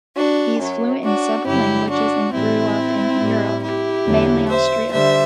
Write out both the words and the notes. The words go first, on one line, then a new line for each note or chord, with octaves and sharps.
He is fluent in several languages and grew up in Europe, mainly Austria.
D4 F#4
F#2 F#3
D4 F#4
G2 D3 F#3 E4 G4
D4 F#4
A2 E3 G3 C4 E4
A2 G3
E4 G4
E2 D3 F#3
C5 E5
D3 G3 C5 E5